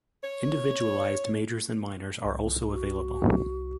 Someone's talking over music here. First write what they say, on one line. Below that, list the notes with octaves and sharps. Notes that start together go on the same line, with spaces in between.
Individualized majors and minors are also available.
C#5
C2
F#4